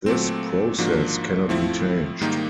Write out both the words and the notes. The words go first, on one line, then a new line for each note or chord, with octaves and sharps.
This process cannot be changed.
A#2 F#3 A3 C4
G#2 F3 A#3 D4 F#4
A2 F3 A3 C4 E4
G#2 D#3 G3 A#3 D#4